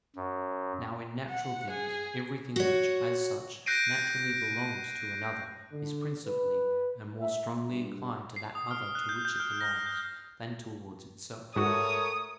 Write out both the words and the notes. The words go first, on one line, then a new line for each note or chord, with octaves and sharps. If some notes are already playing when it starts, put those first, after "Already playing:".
Now, in natural things, everything which, as such, naturally belongs to another, is principally, and more strongly inclined to that other to which it belongs, than towards itself.
F#2
F#5
G#4
F#4 C#5
F#6 G6 A#6 C7 D7 D#7
D3
B4
E5
G2
C7
D#6
F6
F#6
G6
G6
F6
A#6
G6
G#2 A3 F#4 A#4 C#5 D#6